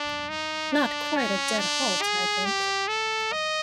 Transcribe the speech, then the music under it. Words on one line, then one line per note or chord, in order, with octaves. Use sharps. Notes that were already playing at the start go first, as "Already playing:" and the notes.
Not quite a dead halt, I think.
Already playing: D4
D#4
D4
C#4
D4
G#4
G4
A4
D#5